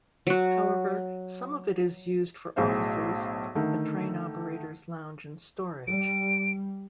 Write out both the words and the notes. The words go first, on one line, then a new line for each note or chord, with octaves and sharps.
However, some of it is used for offices, a train operators' lounge and storage.
F#3 F#4
B1 A2 G#4 C5 F5
D3 D#3 A3
G3 D7